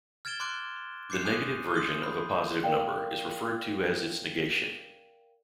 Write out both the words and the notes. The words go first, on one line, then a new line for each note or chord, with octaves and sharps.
The negative version of a positive number is referred to as its negation.
F6 G#6 A6 D7 E7 G7
C6 D6 F#6 D7
D6 G6 C7 C#7
G#5 D#6 F#6 D#7
C6 D#6 G6
B5
A#4 D5 F5 G5